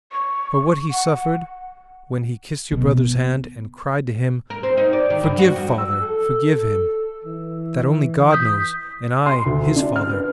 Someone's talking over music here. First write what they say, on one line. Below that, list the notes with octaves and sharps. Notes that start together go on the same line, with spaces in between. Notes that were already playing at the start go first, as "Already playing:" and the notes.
For what he suffered when he kissed your brother's hand and cried to him 'Forgive father, forgive him,'--that only God knows--and I, his father.
C#6
F#5
B2
A#4
C4
D#4
D5
D#3
G2
F#4
F2
E6
A4
E3
D#6 G6 B6
C6
D2
D4
F6
B4